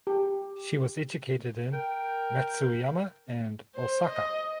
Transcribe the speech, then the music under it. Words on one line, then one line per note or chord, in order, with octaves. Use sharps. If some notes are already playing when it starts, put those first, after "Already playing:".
She was educated in Matsuyama and Osaka.
G4
A#4 G5
C5
D#5